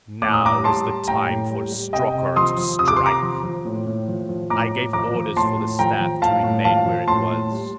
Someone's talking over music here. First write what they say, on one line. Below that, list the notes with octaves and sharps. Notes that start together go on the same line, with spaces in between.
"Now is the time for Strokor to strike!" I gave orders for the staff to remain where it was.
A2 D6
D#6
A2 A#5 D6
G3 A5 C6
G3
A2 G5 A#5
A2
G3
G3
C3 D#5 G5
C3
F3 C6 D#6
F3
C3 D#6
D6
C3 C6
A#5 D6
F3
F3
A2
A2
F3
F3
A2 A#5 D6
A2
F3 A#5 D6
F3
A2 A5 C6
A2
F3 G5 A#5
F3
A2 F5 A5
A2
F3 F5 A5
F3
A2 A5 C6
A2
G3